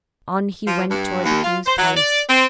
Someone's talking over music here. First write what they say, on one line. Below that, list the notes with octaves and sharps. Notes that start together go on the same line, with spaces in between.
On he went toward the king's palace.
F3
G2
D#2
F4
C5
F#3
D5
C4